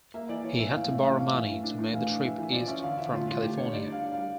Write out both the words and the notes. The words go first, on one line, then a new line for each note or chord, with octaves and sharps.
He had to borrow money to make the trip east from California.
A#3 E5
E3 D5
E3 C#5
E3 E5
A2 F5
A2 E5
C#4 E5
A2 F5
E3 E5
A2
D4
A2
E3 F5
D4
E3 E5
E3
F3 D5
C#4 E5
D3 F5
D3 E5
A2 F4
A2 F4
A2 G4
D4 C#5
G3 D5
D4
F5
D4
G3 F5